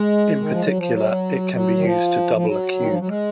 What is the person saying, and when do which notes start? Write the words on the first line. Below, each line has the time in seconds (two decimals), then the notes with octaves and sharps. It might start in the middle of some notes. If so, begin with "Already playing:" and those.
In particular, it can be used to double a cube.
Already playing: G#3
0.41 D#3
0.51 F3
0.62 F#3
0.77 F3
0.92 F#3
1.54 F#3
1.77 D#3
1.84 F3
2.35 F3
2.46 F#3
2.79 D#3
2.89 F3
2.99 F#3
3.08 G#3